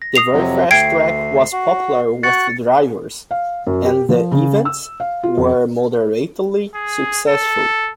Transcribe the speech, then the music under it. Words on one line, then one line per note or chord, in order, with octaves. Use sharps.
The very fast track was popular with drivers, and the events were moderately successful.
A#6
D#6 C7 F7
F2 C3 F#3
D2 A3 G5 G#6 C7 D7
F#4
F#4 F#6 A6 C#7
F5
F#2
G4
F3
C#3
E6
F5
F4
F2
G#4
A4